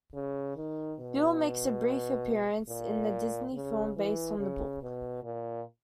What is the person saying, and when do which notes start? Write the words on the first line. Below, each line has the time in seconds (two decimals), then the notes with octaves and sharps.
Bill makes a brief appearance in the Disney film based on the book.
0.14 C#3
0.56 D#3
1.00 B2
2.68 A#2
3.53 C#3
3.97 E3
4.39 C#3
4.82 B2
5.24 A#2